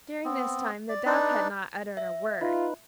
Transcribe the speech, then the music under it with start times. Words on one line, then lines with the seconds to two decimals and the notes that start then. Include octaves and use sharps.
During this time the Dove had not uttered a word.
0.25 B3 C4
0.89 D5
1.06 D4 D#4 B4 D5
1.97 E5
2.41 D#4 F4 B4